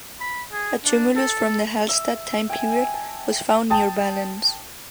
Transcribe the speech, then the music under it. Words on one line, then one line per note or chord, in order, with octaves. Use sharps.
A tumulus from the Hallstatt time period was found near Ballens.
B5
G#4
D4
A4
E5
G5 G#5
A5
G5 A5 D#6